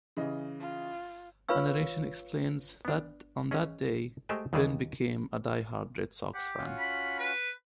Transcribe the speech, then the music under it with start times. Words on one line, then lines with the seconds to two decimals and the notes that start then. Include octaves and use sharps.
A narration explains that on that day, Ben became a die-hard Red Sox fan.
0.17 C#3 E3 D#5
0.60 F4
1.49 F4 B4 C#5 F5 C#6 E6
2.85 B3 D4
3.51 C#4 G#4 D#5
4.29 G#3 A3 G4 C5 D#5 G#5
4.53 D#2 D#3 E3 G3 G#4 D5
6.34 G4 F#5
6.58 C#4 F4 F#4
6.80 B5
7.19 B4